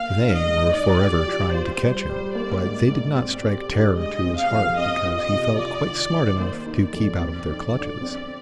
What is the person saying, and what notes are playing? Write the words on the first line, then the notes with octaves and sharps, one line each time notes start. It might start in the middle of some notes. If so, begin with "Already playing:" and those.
They were forever trying to catch him, but they did not strike terror to his heart because he felt quite smart enough to keep out of their clutches.
Already playing: A#3 F5
D4
D#5
G#2
D#4 D5
G4
F3
F4 C5
G3
G3
A#3 D5
G#2
G#2
C4 D5
G4
D3
G#3 D#5
C4
F5
F2
C4 D#5
F4
D#5
C3
F4 D5
D#3
D#3
A#3 C5
D#4
D5
F2
C4
D#4
D3
C4